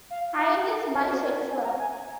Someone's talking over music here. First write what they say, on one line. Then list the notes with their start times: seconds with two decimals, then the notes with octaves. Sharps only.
Hine is bisexual.
0.10 F5
0.39 F5
0.66 A#4
0.80 A#4
0.94 C5
1.08 C5
1.23 A#4
1.36 A#4
1.51 G#5
1.64 A#5
1.78 G#5